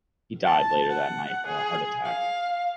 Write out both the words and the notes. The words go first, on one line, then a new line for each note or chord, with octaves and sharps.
He died later that night of a heart attack.
A5
F#5
G#4
F5